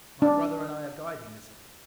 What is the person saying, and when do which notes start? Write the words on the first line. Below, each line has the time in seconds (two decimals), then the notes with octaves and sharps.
My brother and I are guiding this affair.
0.22 D4